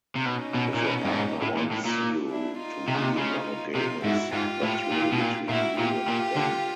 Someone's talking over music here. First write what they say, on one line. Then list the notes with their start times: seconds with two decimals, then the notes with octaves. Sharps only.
If your partner wants you to be monogamous, that’s really between you and them.
0.15 C3
0.25 B2 C#4 D#4
0.55 B2
0.74 A#2
0.84 B2
1.05 G2
1.13 G#2
1.42 A2
1.57 A#2
1.72 A2
1.86 A#2
2.29 D4 E4
2.59 D#4 F4
2.88 C3
2.95 C#3
3.02 C3
3.17 C#3
3.75 C3 D#4 F4
4.04 G#2 E4 F#4
4.33 G#2 F4 G4
4.63 A2
4.91 A#2
5.12 B2
5.20 A#2
5.49 A#2 E4 F#4
5.79 A#2 F4 G4
6.08 A#2
6.36 D3